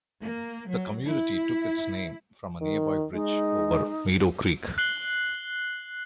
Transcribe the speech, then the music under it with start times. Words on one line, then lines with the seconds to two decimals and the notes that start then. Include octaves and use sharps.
The community took its name from a nearby bridge over Meadow Creek.
0.22 A#3
0.70 F#3
1.06 E4
2.61 D#3
3.14 G#3 D#4
4.78 F#6 C7 F#7 G7